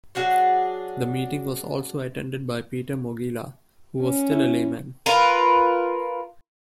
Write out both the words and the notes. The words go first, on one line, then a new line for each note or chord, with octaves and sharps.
The meeting was also attended by Peter Mogila, who was still a layman.
F#3 D4 F#4 G#4
C#4
E4
F4 A#4 B4